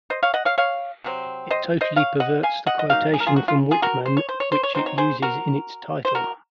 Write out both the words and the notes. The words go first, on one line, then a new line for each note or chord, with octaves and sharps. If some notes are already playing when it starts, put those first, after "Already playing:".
It totally perverts the quotation from Whitman which it uses in its title.
C5 D#5
C#5 F5
D#5 F#5
C#5 F5
C#5 F5
C3 F#3 C4
C5 D#5
C5 D#5
C#5 F5
D#5 F#5
F5 G#5
D#5 F#5
D#5
F#3 A#3 D#4 F5
G#4
A#4
F4 G#4
F#4
F4
F4 G#4
F#4 A#4
C5
C#5
C5
C#5
C5
C#5
F#3 C4 D#4 C5
C#5
G#4 C5
F#4 A#4
C5
F#4 A#4